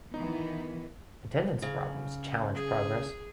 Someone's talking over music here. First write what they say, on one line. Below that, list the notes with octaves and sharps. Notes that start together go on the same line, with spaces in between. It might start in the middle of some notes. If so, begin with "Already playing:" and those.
Attendance problems challenge progress.
D#3 E3 B3 D#4
C#3
G#4